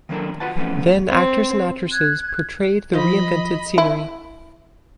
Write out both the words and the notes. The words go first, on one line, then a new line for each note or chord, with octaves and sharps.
Then actors and actresses portrayed the reinvented scenery.
D#3 F#3 A#3 D4 A4 A#4
F4 F#4 B4 F#5 A5
E3 F3 A3 B3 C#4
C4
F#6 G#6
F3 D#5 B5
E4